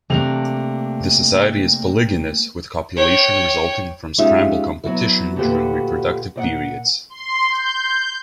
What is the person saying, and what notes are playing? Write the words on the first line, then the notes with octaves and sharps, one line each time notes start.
The society is polygynous with copulation resulting from scramble competition during reproductive periods.
C3 A3 A#3 D4 F7
C#5 G5
G#3 C#4 D#4 F4 G4 E5
F#3 B3 E4
D2 A#2 D3 F#4 G4 B4
A#2 D5 F#5
C6
G6